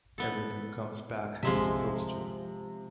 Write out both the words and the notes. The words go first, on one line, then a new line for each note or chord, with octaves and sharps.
Everything comes back to those two.
B3 A4
C3 F3 G#3 E5